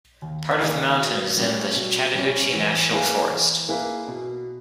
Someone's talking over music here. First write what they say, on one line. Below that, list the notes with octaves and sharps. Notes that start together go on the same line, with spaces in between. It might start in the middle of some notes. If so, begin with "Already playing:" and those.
Part of the mountain is in the Chattahoochee National Forest.
D#2
D#3 A#3 D#4 G#4
B2
G3 C#4
B2
G3 C#4
E3
A#3 E4 G#4 B4
E3
A#3 E4 G#4 B4
B2